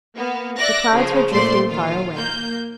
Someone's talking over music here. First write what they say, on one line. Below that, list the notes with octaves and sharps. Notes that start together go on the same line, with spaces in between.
The clouds were drifting far away.
A#3 B3
D5 E5 D6 F#6 A#6
C#3 F3
A#2 A3 C5 D5 C6
D#3 F4
A#3 G6